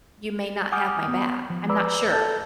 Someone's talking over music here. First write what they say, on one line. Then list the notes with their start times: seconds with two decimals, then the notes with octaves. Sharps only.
you may not have my back. I'm not sure."
0.72 F#5 G#5 D6 D#6 F6 G6
1.08 B3
1.50 F3
1.69 B4 D5 A#5 B5 D6 E6
2.10 A4 A5 G6 A6